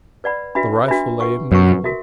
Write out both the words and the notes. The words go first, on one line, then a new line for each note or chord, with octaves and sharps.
The rifle lay immovable.
B4 D5 F#5 B5
D4 F#4 B4 E5 B5
D4 F#4 B4 E5 B5
B4 F#5 C#6
F#2 B4 F#5 C#6
F#4 A#4 E5